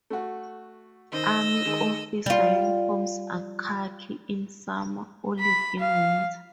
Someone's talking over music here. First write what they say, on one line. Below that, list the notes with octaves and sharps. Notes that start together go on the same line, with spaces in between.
Army officer uniforms are khaki in summer, olive in winter.
A3 F#4
D#3 C5 D#5 E6
D#3 G#3
G3 F4
B5
F5